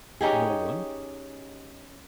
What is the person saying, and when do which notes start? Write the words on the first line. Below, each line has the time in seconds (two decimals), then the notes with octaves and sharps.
"No one."
0.21 C#4 D#4 G4 G#4